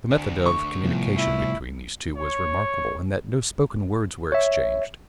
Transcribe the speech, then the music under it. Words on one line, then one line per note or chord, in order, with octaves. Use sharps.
The method of communication between these two was remarkable in that no spoken words were exchanged.
D2 D5
C#6
C2 A2 F3 B3
E4
C#5
C#5 E5